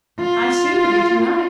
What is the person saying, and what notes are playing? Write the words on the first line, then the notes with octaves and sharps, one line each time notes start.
'I seem to be to-night.
F4